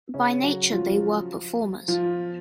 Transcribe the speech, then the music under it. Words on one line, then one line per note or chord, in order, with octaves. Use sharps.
By nature they were performers.
C#3 C#4
F#3 F#4
F3 F4
F3 F4